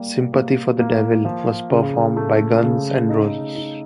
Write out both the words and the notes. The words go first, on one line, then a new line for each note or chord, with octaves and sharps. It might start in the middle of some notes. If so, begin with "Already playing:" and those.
"Sympathy for the Devil" was performed by Guns N' Roses.
Already playing: G3 A#3
A#3
A#3
F3
C#3
A3
C#3
D#4
D#4